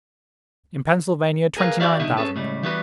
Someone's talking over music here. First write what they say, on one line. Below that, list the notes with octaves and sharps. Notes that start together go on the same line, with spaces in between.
In Pennsylvania, twenty-nine thousand.
G#4 A#4 B4 F5
E4 F#4 G4 D5 E5 F5
C2 B2 D3 D#4 E5
C#4 G#4 A4 B4
A2 C#3 G3 G#3
E3 G3 B3 F#4 G4 B4